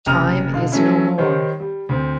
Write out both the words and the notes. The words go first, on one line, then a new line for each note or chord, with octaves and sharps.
Time is no more.
F#1 C2 A#5 D#6 F6 F7
B2 D3 F5
F#3 A3 C#4 E4
D#3 G3 C5 C#5
G3
D2 C4